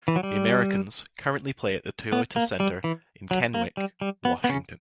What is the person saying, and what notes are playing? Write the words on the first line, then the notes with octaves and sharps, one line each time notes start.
The Americans currently play at the Toyota Center in Kennewick, Washington.
E3
F#3
G3
B3
A#3
G3
E3
F#3
A#3
G3
G3
B3
B3
C#3 C#4